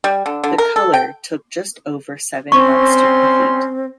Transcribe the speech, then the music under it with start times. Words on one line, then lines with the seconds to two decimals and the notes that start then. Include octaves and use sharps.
The colour took just over seven months to complete.
0.04 G3
0.26 D3
0.44 D3
0.58 A#4
0.76 A4
0.94 G5
2.52 G3 C4 C#4 C6 C#6